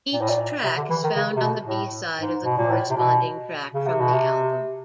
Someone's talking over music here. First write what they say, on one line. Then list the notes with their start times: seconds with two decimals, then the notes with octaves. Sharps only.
Each track is found on the B-side of the corresponding track from the album.
0.13 A#2
0.21 A2
0.29 A#2
0.64 C3
0.77 D3
0.90 E3
1.04 D#3
1.16 C#3
1.36 C3
1.42 B2
1.67 A2
2.19 G#2
2.44 B2
2.58 A#2
2.71 A2
2.90 C3
2.96 B2
3.74 C#3
3.86 C3
4.00 B2
4.14 C3